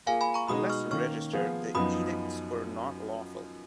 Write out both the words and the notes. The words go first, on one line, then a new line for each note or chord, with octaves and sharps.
Unless registered, the edicts were not lawful.
A#3 F4 G#4 F5 G#5
G#5 B5
A#5 C#6
B2 G#3 D#4 G#4 B5 D#6
C#6 F6
D#3 A#3 C#4 C#6 F6
F3 B3 F4 G#4
F#2 F3 B3 D#4 B5 D#6